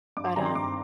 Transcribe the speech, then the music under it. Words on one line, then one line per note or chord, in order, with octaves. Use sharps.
but, um,
G2 D6
C6
D#3 G3 C4 A#5
C6
G2 D6